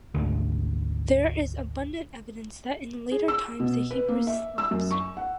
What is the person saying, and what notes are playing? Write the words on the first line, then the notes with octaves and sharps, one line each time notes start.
There is abundant evidence that in later times the Hebrews lapsed.
G#1 D2
G#4
E6
B2
B4
A#3
E5
E6
F#2
C#6
F#5